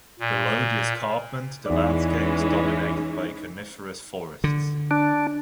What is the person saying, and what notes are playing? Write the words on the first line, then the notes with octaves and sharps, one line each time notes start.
Below the escarpment the landscape is dominated by coniferous forests.
A#2
E2 E3 G#3 C#4 D#4 D5
D3
D4